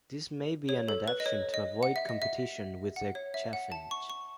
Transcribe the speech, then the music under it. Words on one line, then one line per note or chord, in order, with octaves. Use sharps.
This may be an adaptation to avoid competition with the Chaffinch.
C#5
A4
B4
D#5
C#5
D#5
F#5
E5
D#5
E5
F#5
C#5
E5
F#5
A5
C#6
C#6